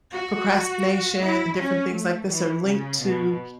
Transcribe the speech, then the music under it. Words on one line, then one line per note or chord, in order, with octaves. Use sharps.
procrastination and different things like this are linked to,
F#4
E4
C#4
A3
E3
C#3
B2